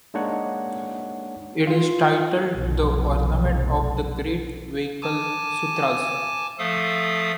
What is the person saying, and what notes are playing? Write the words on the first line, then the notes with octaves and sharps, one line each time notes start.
It is titled the Ornament of the Great Vehicle Sutras.
G#3 A#3 D4 D#4 C#5 F#5
F4
F1 B1
G#5 A5 D6
F3 A3 A4 F5 D#6